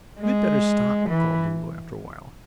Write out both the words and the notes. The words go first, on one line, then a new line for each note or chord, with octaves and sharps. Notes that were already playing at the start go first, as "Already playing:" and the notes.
"We had better stop," called Lulu, after a while.
G#3
E3